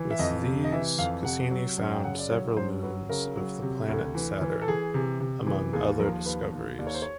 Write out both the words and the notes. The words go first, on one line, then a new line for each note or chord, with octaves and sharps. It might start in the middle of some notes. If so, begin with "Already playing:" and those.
With these Cassini found several moons of the planet Saturn, among other discoveries.
Already playing: E3
E5
F2 D#5
C3
D#5
E3 E5
F2 F5
C3 F#5
F#3
F#2
G5
C#3 F#5
D5
F#3 C#5
F#2 C5
F#3 B4
C#3 A#4
F#3
C3
D2
E3
E3
A4
E3 G#4
C3
C3
E3
D#2 G#4
F3 A#4
D#2 B4
D#2
D#2 D5
C#5
C5
C#5